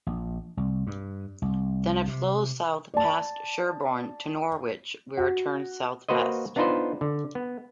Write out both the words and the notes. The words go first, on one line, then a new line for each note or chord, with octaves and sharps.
Then it flows south past Sherburne to Norwich, where it turns southwest.
A#1
C2
G2
C2
C3
D5 A5
F#4
A#3 F#4 B4 C5 D#5
B3 D4 D#4 F4 B4 C5
D3
B3